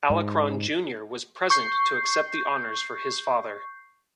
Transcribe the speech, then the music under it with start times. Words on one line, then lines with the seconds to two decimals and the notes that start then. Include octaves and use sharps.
Alacron Junior was present to accept the honors for his father.
0.10 G#2
1.50 C#6 G6 C7